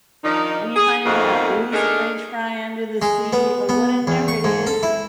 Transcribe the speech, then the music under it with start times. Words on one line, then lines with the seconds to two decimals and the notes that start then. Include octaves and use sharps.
and you're finding that loose French fry under the seat or whatever it is,
0.24 D#3 F3 D4 D#4
0.76 G#4
1.06 F2 B2 D#3 A3 A#3 C4
1.73 A3 D4 D#4 G#4 A#4
3.02 G#3
3.33 B3
3.69 B3
4.07 E2
4.28 C#6
4.44 G#2
4.67 A4
4.83 E4